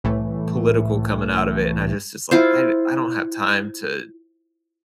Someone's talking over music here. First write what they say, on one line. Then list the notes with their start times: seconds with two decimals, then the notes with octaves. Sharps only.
political coming out of it, and I just it's like, I I don't have time to
0.04 C2 A2 E3 A3
2.31 E4 F4 C5